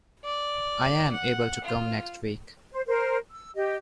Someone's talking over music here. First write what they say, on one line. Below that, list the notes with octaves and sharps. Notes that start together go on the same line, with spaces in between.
I am able to come next week.
D5
F#5
F4
C5
A#4 C5
E6
G4 D#5